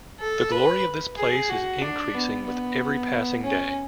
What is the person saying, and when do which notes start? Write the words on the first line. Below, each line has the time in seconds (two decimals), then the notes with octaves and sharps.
The glory of this place is increasing with every passing day.
0.20 A4
0.52 B4
1.17 G#4
1.50 F#4
1.82 D4
2.14 B3
2.47 B3
3.43 C#4